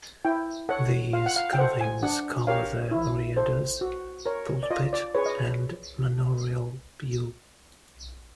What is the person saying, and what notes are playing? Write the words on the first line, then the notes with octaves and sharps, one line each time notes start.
These carvings cover the reredos, pulpit and manorial pew.
E4 G5
A4 C#5 F#5
F4 F5
F#5
F5
G5
A4 C5 F#5
G#5
D4 F#5
G4 A#4 C#5 F5
E4
A4 C5
F#4
A#4 C#5
D5
F4 D#5
D5
G#4 B4 C#5
D#5